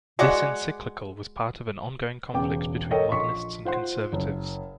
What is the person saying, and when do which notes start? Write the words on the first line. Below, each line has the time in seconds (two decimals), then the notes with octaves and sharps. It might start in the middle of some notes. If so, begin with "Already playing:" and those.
This encyclical was part of an ongoing conflict between Modernists and conservatives.
0.19 G#3 F#4 D5 F#5
2.33 E1 C#3 B3 G5 D6
2.91 A4 A#4 C#5 D#5 G5
3.12 A#1 D#5 C6 C#6 B6
3.65 F4 C5 F#5 C6
4.13 F#1